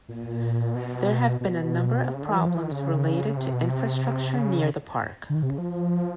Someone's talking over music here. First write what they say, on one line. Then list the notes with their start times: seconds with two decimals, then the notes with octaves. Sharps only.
There have been a number of problems related to infrastructure near the park.
0.09 A#2
0.75 B2
1.41 B2
2.06 C3
2.14 C#3
2.22 D3
2.31 D#3
2.34 F3
2.38 E3
2.46 F3
2.55 E3
2.63 D#3
2.72 C#3
3.37 C3
3.53 B2
3.69 C3
4.35 C#3
5.30 D3
5.35 D#3
5.43 C3
5.50 C#3
5.58 F3